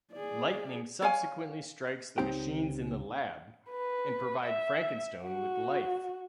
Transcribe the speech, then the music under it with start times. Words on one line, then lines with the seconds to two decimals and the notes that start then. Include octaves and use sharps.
Lightning subsequently strikes the machines in the lab, and provide Frankenstone with life.
0.13 G#4 D5
1.02 C#5 F5 G#5
2.18 C#2 C4 D#4 G4 G5
3.70 B4
4.44 E5
5.24 F#4